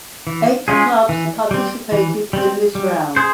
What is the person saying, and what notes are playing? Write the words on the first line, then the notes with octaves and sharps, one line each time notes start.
Eight clubs participated in this round.
E3
G#3 C#4 F4 G#4
E3
G3 C4
E3
G3 C4
G3
G#4 C5